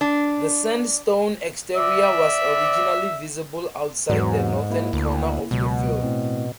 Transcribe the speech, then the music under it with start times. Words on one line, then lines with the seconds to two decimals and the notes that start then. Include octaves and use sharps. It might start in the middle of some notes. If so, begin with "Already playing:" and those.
The sandstone exterior was originally visible outside the northern corner of the field.
0.01 D4
1.75 D5 E5
4.10 E2 G#2 F#3 B3
4.70 A#3 E4
4.93 D2
5.51 C#2 B2 F#3
6.03 A2 C4